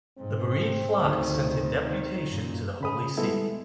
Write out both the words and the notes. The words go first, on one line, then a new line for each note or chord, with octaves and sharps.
The bereaved flock sent a deputation to the Holy See.
G#2 C4
D2 D#3
D#3
F#2 A#2
C#3 B5 D#6
G3 G#3 B3 E4 A4